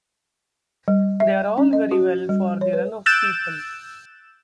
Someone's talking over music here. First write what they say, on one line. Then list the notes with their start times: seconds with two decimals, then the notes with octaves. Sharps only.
They are all very well for the run of people.
0.88 G3
1.20 E5
1.58 C#4
1.73 D#5
1.91 F#4
2.29 G3
2.61 C#5
2.73 B4
3.06 E6 F#6 G6 A6 D7 E7